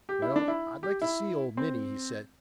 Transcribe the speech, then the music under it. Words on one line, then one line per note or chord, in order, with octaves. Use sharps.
"Well, I 'd like to see old Minty," he said.
G4
E4
D4
E4
G4
E4
C4